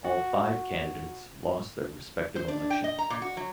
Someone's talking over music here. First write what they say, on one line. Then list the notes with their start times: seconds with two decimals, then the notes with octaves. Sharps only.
All five candidates lost their respective elections.
0.05 F#4
2.36 C5
2.48 D4
2.70 G5
2.84 D#5
2.98 A#5
3.10 A#2
3.22 F#4
3.37 F#3